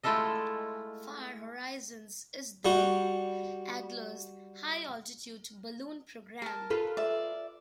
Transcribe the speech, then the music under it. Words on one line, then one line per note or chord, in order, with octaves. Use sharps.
Far Horizons is the Adler's high-altitude balloon program.
G#3 A3 E4 F4 A4 D#5
G3 F#4
A#4 A5
F4 A4 B4
D5 E5